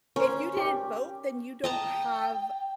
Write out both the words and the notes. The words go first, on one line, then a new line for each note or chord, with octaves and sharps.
If you didn't vote, then you don't have"
C#4 A#4 C5
G4
D#5 G5 A5 A#5